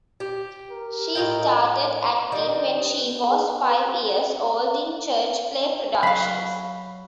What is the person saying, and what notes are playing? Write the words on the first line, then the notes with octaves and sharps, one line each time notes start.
She started acting when she was five years old in church play productions.
G4
A#4
A2 D#5 G5
D#3 G3 D#5
B4
B3
G#4
B4
F#3 F5 B5